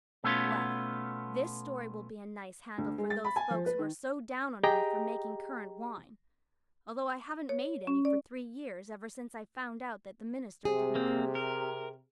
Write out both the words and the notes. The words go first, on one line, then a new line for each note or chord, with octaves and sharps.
Well, this story will be a nice handle for those folks who are so down on me for making currant wine, although I haven't made any for three years ever since I found out that the minister didn't approve.
B2 A3 B3 C#4 F4
D2
G#3
A6
B5
G#5
F3
B4
D#3
G4 G#4 D#5 G5 A#5
C#5
C#4
D5
C3 G#4
A#3 C4
A#4